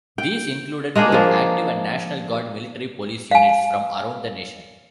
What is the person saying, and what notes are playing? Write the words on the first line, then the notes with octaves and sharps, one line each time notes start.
These included both active and National Guard Military Police units from around the nation.
G5
G#3 A#3 D4 G#4
F3 A#3
F5 G#5